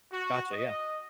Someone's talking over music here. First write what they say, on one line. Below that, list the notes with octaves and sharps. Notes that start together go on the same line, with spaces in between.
Gotcha, yeah.
F#4
D#5